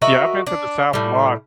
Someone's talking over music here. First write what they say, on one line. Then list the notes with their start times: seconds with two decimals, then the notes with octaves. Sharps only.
Yeah, I've been to the South a lot.
0.02 F#4 A#4 D#5 E5
0.46 D4
0.93 A2 G3